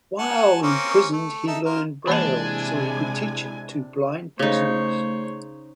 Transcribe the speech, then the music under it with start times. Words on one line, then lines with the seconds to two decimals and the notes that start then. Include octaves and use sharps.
While imprisoned he learned braille so he could teach it to blind prisoners.
0.18 F#5 G#5 A5
0.62 A#3 C4 C#4
1.12 A3
1.47 D#4 A4 E5
1.65 F4 A#4
2.07 C3 E3 G#3 A#3 D4 E4 G#5 A5
4.39 C#3 A3 D#4 C5 C#5